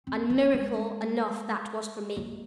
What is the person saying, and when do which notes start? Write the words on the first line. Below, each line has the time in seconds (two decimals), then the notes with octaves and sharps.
And miracle enough that was for me.
0.07 C4
0.30 A#3
0.54 G#3
2.17 A#3